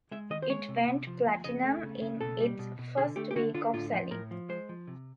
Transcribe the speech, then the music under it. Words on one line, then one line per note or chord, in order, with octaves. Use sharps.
It went platinum in its first week of selling.
G#3 E5
D#3 D#5
C5
G#3 C#5
C3
C3
F3
F3
C#3 D#5
A3
C#3
C#3
B2 A4
G3
B2
B2
D3 G#4
A3 G4
G4
D3 F#4
D3 F4
A2 F4
F3
A2 A#4
F3
G#3 C5
F3
C3